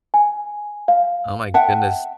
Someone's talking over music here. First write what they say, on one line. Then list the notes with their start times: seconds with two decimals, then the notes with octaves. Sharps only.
Oh my goodness.
0.14 G#5
0.88 F5
1.54 E5 F#5 G5 A5